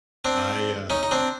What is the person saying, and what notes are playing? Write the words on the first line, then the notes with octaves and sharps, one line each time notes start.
I, um
C4 D4
C#4 D#4
D#4
C4 D4